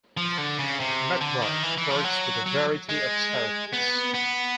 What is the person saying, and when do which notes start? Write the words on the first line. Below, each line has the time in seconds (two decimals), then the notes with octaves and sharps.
McBride works with a variety of charities.
0.17 F3
0.38 D3
0.58 C#3
0.80 C3
1.21 D3
1.42 D#3
1.63 E3
1.78 E3
1.90 F3
2.04 F#3
2.46 F#3
2.89 G#3
3.73 B3
4.14 B3